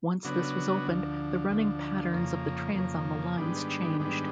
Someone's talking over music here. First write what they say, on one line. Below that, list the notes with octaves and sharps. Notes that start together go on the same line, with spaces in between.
Once this was opened, the running patterns of the trains on the lines changed.
C#3 F#3 B3 D4 F#4
D2 D3 F3
D2 D3 F3
F2 C#3 F3 A#3
F2 C#3 F3 A#3
G#2 D#3 G3 B3 D4
G#2 D#3 G3 B3 D4